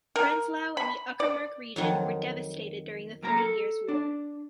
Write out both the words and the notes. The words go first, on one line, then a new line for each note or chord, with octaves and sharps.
Prenzlau and the Uckermark region were devastated during the Thirty Years' War.
A#4
B5
D5
F2 D#3 F#3
F#2 A#3 A#4 A#5
A4
D4